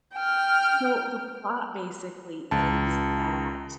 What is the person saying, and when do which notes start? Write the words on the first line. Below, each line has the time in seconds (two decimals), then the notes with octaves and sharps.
So the plot, basically, is that,
0.14 G5 F6
2.51 C#2 A5